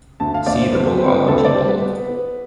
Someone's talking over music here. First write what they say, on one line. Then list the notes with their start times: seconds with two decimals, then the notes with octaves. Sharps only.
See the Bulala people.
0.20 D2 A5
0.34 F5
0.47 D2 D5
0.61 C5
0.74 C4 B4
0.85 C5
0.97 C4 B4
1.28 D2 A4
1.45 D5
1.54 G3 C5
1.68 B4
1.82 B3
2.08 B3